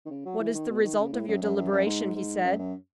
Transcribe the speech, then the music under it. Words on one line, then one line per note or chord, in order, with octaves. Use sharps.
"What is the result of your deliberation?" he said.
D#3
C#3
F#3
E3
D#3
B2
D#3
C#3
A2
F#2
F#2
F#2
F#2
G#2
G#2
F#2
F#2